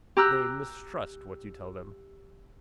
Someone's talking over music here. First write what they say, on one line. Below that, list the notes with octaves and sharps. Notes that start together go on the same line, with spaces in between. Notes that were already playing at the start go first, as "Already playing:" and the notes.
They mistrust what you tell them.
G4 A#5 E6 F#6